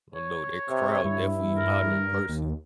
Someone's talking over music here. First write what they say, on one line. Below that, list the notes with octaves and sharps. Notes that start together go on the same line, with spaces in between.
I don't know, that crowd definitely louder in person.
C#5
C3
G2 E4
A#4
D#2